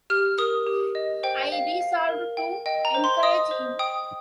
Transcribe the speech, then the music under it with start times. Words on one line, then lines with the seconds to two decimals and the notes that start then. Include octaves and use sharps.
I resolved to encourage him.
0.10 G4 F6
0.38 A#4 D#6
0.67 G4
0.95 D#5
1.23 C5 G5
1.52 F5
1.81 F5
2.09 A#4
2.37 G5
2.66 D#5 G5
2.85 A#5
2.95 C5
3.04 C6
3.23 D#5 D#6
3.51 C5
3.79 G5 D#6